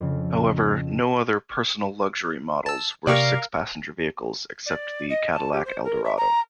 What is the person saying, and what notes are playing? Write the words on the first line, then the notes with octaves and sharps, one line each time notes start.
However, no other "personal luxury" models were six-passenger vehicles, except the Cadillac Eldorado.
F2 C#3
A5 E6
C3 A#3 G4 A#4 D5 F5 C#6
D5
D#5
A5
G4
C5
A#4
E5
A#5